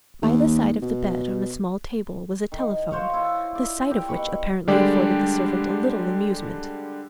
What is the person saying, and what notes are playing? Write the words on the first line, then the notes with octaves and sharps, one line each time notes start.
By the side of the bed on a small table was a telephone, the sight of which apparently afforded the servant a little amusement.
D#2
B2
D#3
F#4 C5 C#5 F5
E4 F4
D5
G4 A#4
B2 G4 B5 C#6
D3 G3 G#3 D4 G4 D5